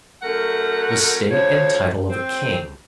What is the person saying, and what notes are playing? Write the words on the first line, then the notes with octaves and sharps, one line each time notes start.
The state and title of a king.
F#2 A3 A#4 F#5
D2 F3 C#5
C4